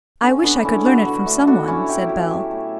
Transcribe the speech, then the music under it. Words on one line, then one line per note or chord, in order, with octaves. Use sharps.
"I wish I could learn it from some one," said Bell.
D3 C#4
D3 B3 D4
A3 C#4 E4
D3 D4 F#4
D3
A3
A3 D4 F#4
A2 C#4 E4
F#3 E4 G4
F#3
A3
A3